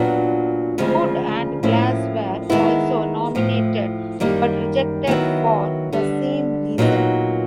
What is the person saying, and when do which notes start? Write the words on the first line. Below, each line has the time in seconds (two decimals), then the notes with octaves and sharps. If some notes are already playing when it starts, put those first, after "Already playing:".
Hood and Glass were also nominated, but rejected for the same reason.
Already playing: A#2 F#3 B3 D4
0.78 D2 C#3 F3 G#3 C4
1.63 A2 F3 A#3 C#4 E4
2.50 D#3 G#3 B3 E4
3.35 A2 F3 A3
4.20 F#2 D#3 G3 A#3 D#4
5.07 D#3 F#3 B3 E4
5.93 D3 G3 B3 D4
6.78 A#2 F#3 B3 D#4